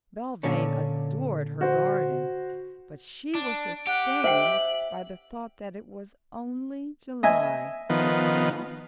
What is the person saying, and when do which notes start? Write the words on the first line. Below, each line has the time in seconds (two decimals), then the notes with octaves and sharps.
Belvane adored her garden, but she was sustained by the thought that it was only July just now.
0.43 A#2 D3 C#4
1.61 F#4 C5
3.35 D4
3.87 G4 F#5
4.24 C5 E5 F#5 G5 F#7
7.23 D#5 E5 G#5
7.90 D#3 F3 B3